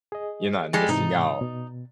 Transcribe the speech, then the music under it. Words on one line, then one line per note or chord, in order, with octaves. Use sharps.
you're not missing out.
G#4 D#5
G3 G#3
G#2 C3 E3 D#4
B2